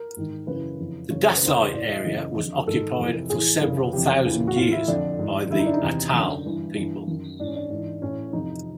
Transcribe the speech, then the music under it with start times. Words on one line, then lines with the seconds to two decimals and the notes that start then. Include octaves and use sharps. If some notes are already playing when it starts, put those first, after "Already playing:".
The Dasi area was occupied for several thousand years by the Atayal people.
Already playing: A#4
0.17 G#2 D#3
0.47 F#2 C#3 E3 B4
0.79 F2 C#3 E3
1.10 F#2 C#3 E3 C#5
1.22 C5
1.35 B4
1.42 E2 C#3 E3 C5
1.73 A2 E3 D5
1.89 D#5
2.04 F#2 C#3 E3 D#5
2.36 F2 D3
2.67 G#2 D#3 A4
2.99 F2 C3 E3
3.30 A2 E3 G#4
3.61 F#2 C#3 E3
3.93 F2 C3 E3 G4
4.25 E2 C#3 E3
4.48 F#4
4.56 A2 E3 F4
4.72 E4
4.88 F2 D3 D4
5.19 G#2 E3
5.50 F#2 D3 E4
5.59 D#4
5.66 D4
5.73 D#4
5.82 E2 C3 D#3
6.13 F#2 D3
6.45 G2 E3
6.76 G2 E3
7.07 F#2 D#3
7.39 G#2 E3 D4
7.47 C#4
7.55 D4
7.70 G#2 E3
8.02 A2 E3 C#4
8.33 F2 C3 E3 D#4